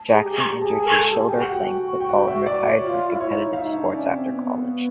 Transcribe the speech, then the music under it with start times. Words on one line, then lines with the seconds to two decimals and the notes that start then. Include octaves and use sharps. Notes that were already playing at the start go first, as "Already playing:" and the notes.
Jackson injured his shoulder playing football and retired from competitive sports after college.
Already playing: A5
0.12 G#4 A#5
0.24 G4
0.37 A#5
0.61 G#4 A5
0.80 G#5
0.86 A#4
0.90 A4
0.98 A5
1.10 G4
1.17 G#5
1.29 G5
1.36 F#4
1.41 F#5
1.53 G5
2.00 G5
2.09 F#5
2.28 E5
2.46 D5
2.65 C#5
2.83 F4
3.08 F4
3.11 E4
3.20 C#5
3.32 D#4
3.53 F5
3.57 D#4 E5
3.76 D4
3.94 C#4 D5
4.12 C4
4.31 B3